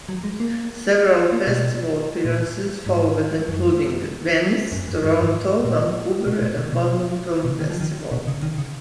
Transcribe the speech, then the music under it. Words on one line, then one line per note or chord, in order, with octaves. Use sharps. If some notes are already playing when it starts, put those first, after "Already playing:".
Several festival appearances followed including Venice, Toronto, Vancouver, and London Film Festival.
F#3
G#3
A#3
A#3
B2
A#2
G#2
F#2
F#2
F#2
G#2
F#2
G#2
A#2
B2
A#2
B2
B2
B2
C#3
D#3
F3
D#3
B2
C#3
D#3
C#3